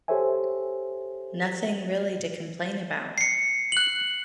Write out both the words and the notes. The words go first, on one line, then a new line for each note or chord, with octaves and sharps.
Nothing really to complain about.
G4 A4 C5 C#5 E5 G#5
C7 C#7
F#6 F#7